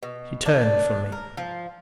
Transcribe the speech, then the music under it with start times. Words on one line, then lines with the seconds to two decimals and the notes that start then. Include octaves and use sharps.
She turned from me.
0.03 B2
0.46 D4
1.12 A#4
1.37 F3